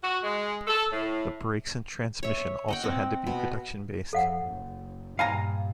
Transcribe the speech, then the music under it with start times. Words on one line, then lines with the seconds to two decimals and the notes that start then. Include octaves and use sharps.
The brakes and transmission also had to be production-based.
0.03 F#4
0.23 G#3
0.68 A4
0.92 A2
2.23 C#5 E5
2.68 D#5 F#5 G5
2.84 C4
3.27 B2
4.13 F2 A4 F5 F#5
4.44 F#1
5.19 G2 A#2 F5 G#5 A#5 B5